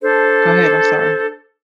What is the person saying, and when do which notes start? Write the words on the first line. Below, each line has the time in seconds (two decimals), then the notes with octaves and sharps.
go ahead, I'm sorry.
0.02 D4 A4 C5